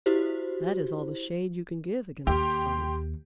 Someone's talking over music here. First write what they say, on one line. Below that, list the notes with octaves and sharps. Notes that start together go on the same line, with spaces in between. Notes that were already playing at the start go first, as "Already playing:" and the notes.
"That is all the shade you can give against the sun."
E4 F#4 G4 C5
D#2 G4 C6